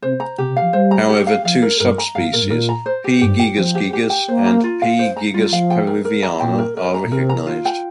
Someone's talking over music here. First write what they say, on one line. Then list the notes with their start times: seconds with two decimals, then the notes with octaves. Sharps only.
However two subspecies "P. gigas gigas" and "P. gigas peruviana" are recognised.
0.02 C3 C5
0.20 A#5
0.38 C3 G4
0.49 C3
0.56 F5
0.62 F3
0.73 G3 C5
0.91 A#5
1.09 G4
1.27 F5
1.44 F3 F5
1.62 A#4
1.80 G2 A#4
1.98 A#5
2.15 G2 F5
2.33 A#2 A#4
2.42 G2
2.50 A#2 A#4
2.69 A#5
2.86 C5
3.04 G4
3.21 G2 G4
3.39 G5
3.57 F3 C5
3.75 G4
3.93 G4
4.10 G5
4.28 A#3 C5
4.46 A#5
4.64 F4
4.82 F5
4.99 C5
5.17 A#5
5.34 G3 F4
5.52 F3 F5
5.70 G5
5.87 A#4
6.05 A#4
6.23 A#5
6.40 A#2 G5
6.58 A#4
6.77 A#4
6.94 A#5
7.04 A#2
7.12 C3 A#4
7.29 A#5
7.47 F4
7.65 G5